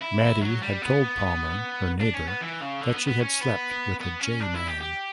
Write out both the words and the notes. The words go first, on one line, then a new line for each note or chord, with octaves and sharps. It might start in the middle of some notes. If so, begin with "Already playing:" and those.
Maddie had told Palmer, her neighbor, that she had slept with a J man.
E4
F#3
G3
B3
D4
C#4
B3
E3
C#3
D3
B3
B3
C#4
B3
B3
C#4
D4
E4
G4
G4